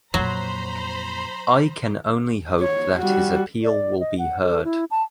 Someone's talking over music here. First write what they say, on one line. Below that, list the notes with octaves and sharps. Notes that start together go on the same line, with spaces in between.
I can only hope that his appeal will be heard.
F2 A#2 F#3 C5 A#5 B5
C#5
G3 F#4
D5
D#5
F#5
A4
E4
A5